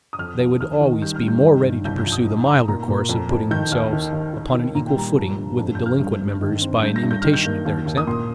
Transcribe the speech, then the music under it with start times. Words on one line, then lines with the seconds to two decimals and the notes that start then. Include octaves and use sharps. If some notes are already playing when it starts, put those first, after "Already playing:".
They would always be more ready to pursue the milder course of putting themselves upon an equal footing with the delinquent members by an imitation of their example.
0.13 D#6
0.19 F2 F6
0.39 F3
0.61 D#2 F6
0.81 D#3
1.01 G3 G6
1.16 F6
1.23 G2
1.28 G6
1.43 D#3
1.63 G1
1.84 C2 G6
1.98 G6
2.06 F3
2.12 D#6
2.26 D#4
2.47 D#4 A#5
2.68 A#2 A#5
2.88 A#2
3.09 F2
3.30 F2
3.51 D#3 G6
3.72 D#2 F6
3.93 D#3
4.12 D#2
4.33 D#3
4.54 D#3
4.75 A#2 A#5
4.87 G5
4.96 G3 A#5
5.16 F3
5.37 G1
5.59 F2
5.75 F2 G6
5.86 F6
6.00 G2
6.21 G1
6.41 D#3
6.62 C4
6.82 G2 G6
6.96 A#6
7.03 G2
7.11 G6
7.22 D#3 F6
7.34 G6
7.45 A#3
7.65 D#2
7.86 D#2
7.97 D#6
8.07 A#2 C6